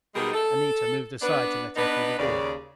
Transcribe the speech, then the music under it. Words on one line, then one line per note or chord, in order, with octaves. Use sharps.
Anita moved aside to let him through the door.
B2 G3 G#3 D#4 G#4 A#4
A4
B3 D4 B4
B3 D4 D#4 B4
D#2 C#3 D5